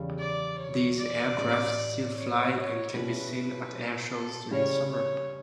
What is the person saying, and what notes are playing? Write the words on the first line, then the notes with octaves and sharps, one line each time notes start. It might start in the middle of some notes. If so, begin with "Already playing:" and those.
These aircraft still fly and can be seen at air shows during summer.
Already playing: E2 C#3 G3
D5
C#5
D5
A2 G3 C#4
C#5
C#5
B2 G3 C#4 E4 B4
A4
C#3 G3 C#4 C#5
C#5